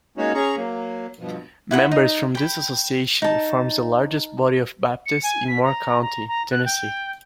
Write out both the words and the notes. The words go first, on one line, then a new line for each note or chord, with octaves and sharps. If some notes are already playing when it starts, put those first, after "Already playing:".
Members from this association form the largest body of Baptists in Moore County, Tennessee.
G#3 A#3 C#4 D#4 F#4 C#5
C#4 G#4 A#5 C#6
F#3 A#3
G2 B2 F3
E4 F#5 G5 B5
D#4
G5 B5
D#4 A5
C#7
G#5
B6
A#5
A#5
A#5
F#6
G5